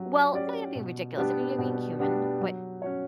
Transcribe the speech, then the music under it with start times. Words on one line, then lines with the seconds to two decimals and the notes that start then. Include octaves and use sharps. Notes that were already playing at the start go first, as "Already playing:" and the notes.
Well, now you're being ridiculous. I mean, you're being human. But
Already playing: F#3 C#4 G4
0.33 C#4 G4 D5
0.75 B2
1.17 G3 B3 D4 G4
1.58 B2
1.99 G3 B3 D4 G4
2.41 F#3
2.82 C#4 F#4 C#5